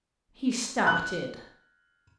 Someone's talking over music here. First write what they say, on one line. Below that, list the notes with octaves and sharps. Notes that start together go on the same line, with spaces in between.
He started.
F#6